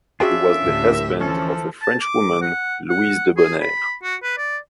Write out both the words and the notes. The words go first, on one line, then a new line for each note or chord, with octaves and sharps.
He was the husband of a Frenchwoman, Louise Debonaire.
C#4 D4 F4 F#4 G#4 E5 G5
D2 A2 G4
E3 F3 C#4 A4
A5
D6
F#5
F#5
G#4
B5
F#4
B4
D5